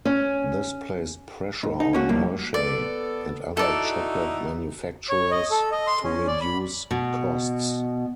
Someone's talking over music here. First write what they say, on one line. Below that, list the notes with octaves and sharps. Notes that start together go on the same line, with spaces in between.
This placed pressure on Hershey and other chocolate manufacturers to reduce costs.
C#4
G#2
D#4
A#3 C#4 F#4
B1 F2 A2 G3 A#3
B3 A4 D5
D#4 E4 F#4 A4 D5
C#5
D#5
A4
D#5
C6
C#4
D5
B5
B2